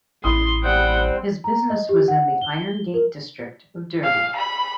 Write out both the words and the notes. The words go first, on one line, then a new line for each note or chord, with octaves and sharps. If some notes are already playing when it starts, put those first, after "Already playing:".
His business was in the Irongate district of Derby.
A1 E4 C6 D#6
G3 C4 C5 F#5 G5
A#5
D#5
G4
F#5
G7
A#4
F5
B5